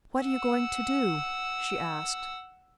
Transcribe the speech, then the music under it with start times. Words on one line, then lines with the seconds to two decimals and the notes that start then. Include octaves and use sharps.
"What are you going to do?" she asked.
0.21 F#5 E6